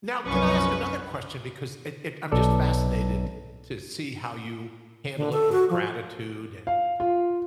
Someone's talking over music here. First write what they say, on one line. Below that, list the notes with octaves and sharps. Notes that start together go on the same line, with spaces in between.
Now, can I ask another question, because it it I'm just fascinated to see how you handle it with gratitude and
C2 F#2 F3 C#4 B4 C#6
B1 A4 D5
D3
A4
F#4
F3
F5
F4